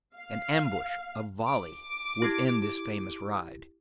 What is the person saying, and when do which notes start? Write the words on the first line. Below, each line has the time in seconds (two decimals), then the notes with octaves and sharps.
An ambush, a volley, would end this famous ride.
0.17 F5
1.46 D6
2.22 E4 G4 G#6